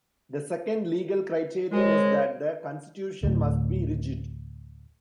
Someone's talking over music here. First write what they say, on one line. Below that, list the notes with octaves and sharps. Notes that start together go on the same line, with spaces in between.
The second legal criterion is that the constitution must be rigid.
G#3 A#4 C5 C#5
D2 A2